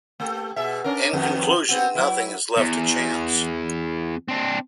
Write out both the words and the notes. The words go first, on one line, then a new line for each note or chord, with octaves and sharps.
In conclusion, nothing is left to chance.
A3 G4 A4
B2 G#4 E5
C#4 D4 A#4
F2 D#3 B3
B3 C4 F#4
F#3 E4
E2
C4 D4